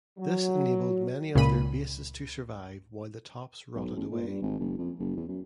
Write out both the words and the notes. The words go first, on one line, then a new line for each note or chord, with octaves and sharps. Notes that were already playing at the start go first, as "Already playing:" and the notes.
This enabled many of their bases to survive while the tops rotted away.
F#3
C#2 A#2 B5 D#7
B1
A1
A#2
G2
G#1
F#1
F2
F#1
E2
F#2